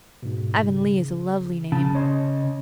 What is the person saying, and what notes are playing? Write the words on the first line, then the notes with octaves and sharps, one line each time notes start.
Avonlea is a lovely name.
G#2 B2
C#3
C#3 A5
C#5 D#5 C6